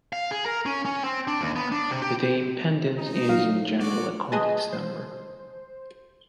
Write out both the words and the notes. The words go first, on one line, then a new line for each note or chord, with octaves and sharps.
The impedance is, in general, a complex number.
F5
G#4
A#4
C#4
C#4
C4
D4
D#2
B3
D4
C3
G4
C#2 D#4
G#2 F3 F#3 F5
A#3 D4 F#4 C#5 D5
G#4 B4 D#5 G#5 A5
C5